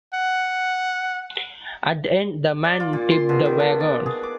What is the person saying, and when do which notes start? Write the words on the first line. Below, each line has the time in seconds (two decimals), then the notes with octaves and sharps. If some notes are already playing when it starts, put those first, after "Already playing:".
At the end the man tipped the wagon.
0.15 F#5
2.65 D5
2.80 F4
2.93 A#2
3.11 C6
3.29 B2
3.45 D#3
3.60 D4
3.80 D5
4.06 G#4
4.23 D6